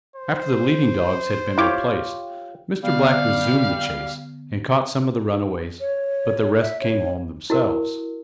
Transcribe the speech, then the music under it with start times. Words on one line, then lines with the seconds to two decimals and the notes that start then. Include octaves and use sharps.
After the leading dogs had been replaced, Mr. Black resumed the chase, and caught some of the runaways, but the rest came home themselves.
0.16 C5
1.58 E4 F4 G4 C#5 D6
2.83 B2 D3 G3 B3 F5
5.80 C#5
6.61 E5
6.81 C#5
7.50 E4 F#4 A#4